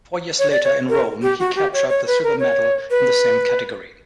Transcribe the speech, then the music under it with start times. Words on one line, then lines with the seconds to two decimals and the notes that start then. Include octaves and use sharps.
Four years later in Rome he captured the silver medal in the same category.
0.39 C#5
0.51 D5
0.64 C#5
0.89 A#4
1.22 G4
1.40 F#4
1.56 G4
1.73 C#5
1.90 C#5
2.07 B4
2.24 A#4
2.40 C#5
2.91 B4